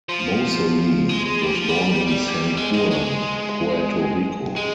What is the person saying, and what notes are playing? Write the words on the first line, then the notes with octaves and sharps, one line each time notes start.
Moseley was born in San Juan, Puerto Rico.
F3
G#3
G#3
G3
F3
G3
G3
G#3
G#3
G#3
G#3